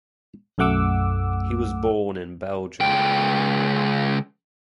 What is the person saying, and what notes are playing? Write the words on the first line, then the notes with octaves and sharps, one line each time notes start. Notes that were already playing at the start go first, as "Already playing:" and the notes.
He was born in Belgium.
B1 F#2 A3 F#5 D6 E6
C#2 G5